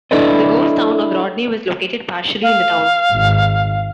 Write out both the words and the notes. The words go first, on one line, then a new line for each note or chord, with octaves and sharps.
The ghost town of Rodney was located partially in the town.
D4 E4 A4 B4 D5 D#5
F5
G#1